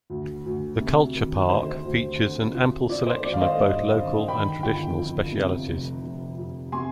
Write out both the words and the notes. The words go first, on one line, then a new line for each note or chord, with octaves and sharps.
The Culture Park features an ample selection of both local and traditional specialities.
D2
D2
C3
D#3
D2 C5
D2
D3
F3
F3 D5
C5
G#1 D5
F5
C5 D#5
G2 D5
D3
D#3 G5 B5
G1 G5 B5
F2
C3
F1
F1
F2
C3 G#5 C6